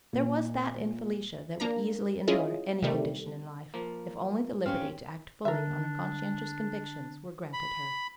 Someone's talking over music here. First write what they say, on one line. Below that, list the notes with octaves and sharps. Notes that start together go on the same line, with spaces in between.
There was that in Felicia that would easily endure any condition in life if only the liberty to act fully on her conscientious convictions were granted her.
A#2
A#3 D4 A#5
C#4 E4 F4 G#4 D#5
C3 D#3 G3 A3
F3 A#3
C4 C#4 G4 F5
D3 D4 A#4 E5
B5